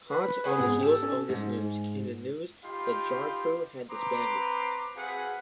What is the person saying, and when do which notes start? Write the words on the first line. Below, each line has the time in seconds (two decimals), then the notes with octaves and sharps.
Hot on the heels of this news came the news that Jarcrew had disbanded.
0.09 B4
0.44 G#4 B4 C5 F#5
0.58 G#2 B3 C4
0.81 G4 A4 E7
1.03 C#4
1.29 G#2
2.64 D#4 F4 G4 F5 B5 C6
3.90 C4 B4 A#5 C6 D6
4.96 C4 F#4 G#4 B4 F5 F#5